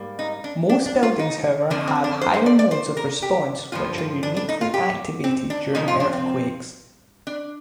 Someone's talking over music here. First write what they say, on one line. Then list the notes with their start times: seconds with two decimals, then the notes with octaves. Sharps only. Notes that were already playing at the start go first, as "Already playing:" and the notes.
Most buildings, however, have higher modes of response, which are uniquely activated during earthquakes.
Already playing: G#2 G3 A#3
0.19 D#4
0.44 D4
0.69 D4
0.86 D4
1.03 F4
1.19 D#4
1.70 F2 D3 F3 A#3 D4
1.88 C4
2.04 D4
2.21 C5
2.34 C5
2.46 D5
2.59 D5
2.71 C5
2.97 A#4
3.22 G4
3.72 G2 D3 F3 F4
3.98 F4
4.23 D4
4.36 D4
4.49 D#4
4.61 F4
4.74 G4
5.24 C4
5.50 D4
5.74 F2 C3 F3 A#3 D#4
5.88 F4
6.00 D4
6.13 C4
7.27 D4